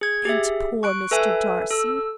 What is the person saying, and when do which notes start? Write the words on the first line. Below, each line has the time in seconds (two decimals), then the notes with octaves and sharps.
And poor Mr. Darcy!
0.01 G#4 G#6
0.25 G4 G#4 E5
0.83 C#6 F#6 D7
1.11 A4 B4 E5 G#5
1.71 A4 E6